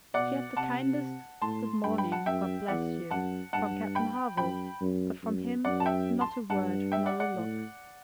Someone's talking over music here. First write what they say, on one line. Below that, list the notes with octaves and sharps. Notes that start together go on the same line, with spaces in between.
She had the kindest "Good morning, God bless you!" from Captain Harville, but from him not a word, nor a look!
B2 D5 F#5
C3 F#5 A5
A2 A5 C6
G2 G5 B5
G5 B5
F#5 A5
F#2 E5 G5
E2 D5 F#5
F#2 F#5 A5
G2 F#5 A5
G5 B5
F#2 G5 B5
F#2
F#2
F#2 D5 F#5
A5
E5 G5
A5 C6
G2 F#5 A5
E5 G5
D5 F#5
D5 F#5
A2